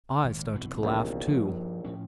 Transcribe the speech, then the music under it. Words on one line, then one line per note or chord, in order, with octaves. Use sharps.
I started to laugh, too.
G#1 A#2
C2 B2 E3
A#1 D#2
G2 F3
A2 F3 C#4